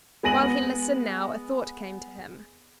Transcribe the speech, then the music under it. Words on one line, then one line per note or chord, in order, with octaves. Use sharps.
While he listened now a thought came to him.
G#3 B3 G#5 A#6 D#7 F#7